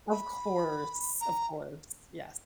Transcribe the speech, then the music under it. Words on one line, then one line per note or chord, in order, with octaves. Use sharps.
Of course. Of course. Yes.
B5
A#5